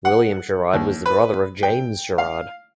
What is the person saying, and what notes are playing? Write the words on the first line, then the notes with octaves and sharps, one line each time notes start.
William Sherard was the brother of James Sherard.
F#5
D#2
B4
G5
F5